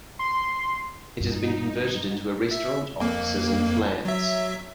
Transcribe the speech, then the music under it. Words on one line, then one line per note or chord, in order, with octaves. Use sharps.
It has been converted into a restaurant, offices and flats.
C6
G2 D#4
E5
F2 A#3
F#3 E5